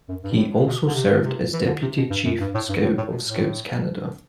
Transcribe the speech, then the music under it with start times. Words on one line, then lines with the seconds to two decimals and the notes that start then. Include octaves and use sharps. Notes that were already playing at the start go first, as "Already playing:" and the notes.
He also served as deputy Chief Scout of Scouts Canada.
0.09 F#2
0.23 G2
0.31 B2
0.37 A2
0.67 B2
0.87 D3
0.95 C3
1.24 C3
1.53 E3
1.67 D3
1.82 C3
1.97 B2
2.10 G2
2.25 F#2
2.40 G2
2.55 A2
2.69 G2
2.84 A2
2.97 A2
3.12 B2
3.27 A2